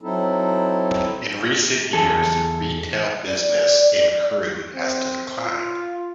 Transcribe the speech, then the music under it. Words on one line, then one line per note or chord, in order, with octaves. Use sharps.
In recent years retail business in Crewe has declined.
F#3 C4 D#4 E4 A4
E2 G#4 A4
D5
C4
F4